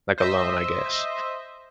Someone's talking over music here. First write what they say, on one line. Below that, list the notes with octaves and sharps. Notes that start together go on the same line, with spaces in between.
like, alone I guess,
C5 D#5 E5